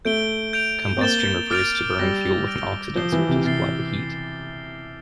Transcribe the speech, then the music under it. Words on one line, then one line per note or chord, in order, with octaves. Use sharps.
"Combustion" refers to burning fuel with an oxidizer, to supply the heat.
A3 G6 D7 G7
G6 D7 F7
C4
A#3 A6 E7 G7
D6 F6 A6 D7 F7
G3 E6 A#6 D7
F6 A6 D7 G7
F3 G6 C7 E7 G7
E3
C3
C3 F6 A6 C7 G7